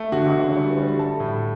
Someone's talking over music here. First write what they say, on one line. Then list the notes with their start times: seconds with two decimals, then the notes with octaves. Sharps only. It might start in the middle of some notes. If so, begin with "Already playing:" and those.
"The cargo on board?"
Already playing: A3
0.12 D3 F#4 F#5
0.35 D3
0.56 G3
0.78 G3
0.98 A3 A4 A5
1.20 A2